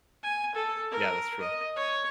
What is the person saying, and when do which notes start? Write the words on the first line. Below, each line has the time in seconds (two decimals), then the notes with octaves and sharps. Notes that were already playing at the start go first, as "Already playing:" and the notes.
Yeah, that's true.
0.23 G#5
0.55 A4
0.91 A#4
1.41 D#5
1.76 C#5